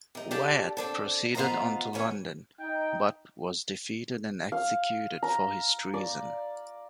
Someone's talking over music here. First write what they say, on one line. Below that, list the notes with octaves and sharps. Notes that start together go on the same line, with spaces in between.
Wyatt proceeded on to London but was defeated and executed for his treason.
C3 D#4
D4 G4 A4 A5
C4 D4 A4
B3 F4 C5 D#5 F5 A#5
D2 E3 C#4 C#5
D#4 G5
F5
A#5
D5